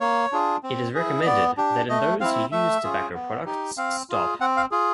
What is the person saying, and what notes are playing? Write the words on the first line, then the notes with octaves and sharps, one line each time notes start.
It is recommended that in those who use tobacco products stop.
A#3 C#5
D4 F4 G#4
C4
E4 G#4
D#5
B3 D5
D4 G4
A3 D#5
C4 E4 F5
A3 E5
C#4 F4 G#4
B3
D#4 G4
C4 F5
F4 G#4
C4 F#5
F5
F4 G#4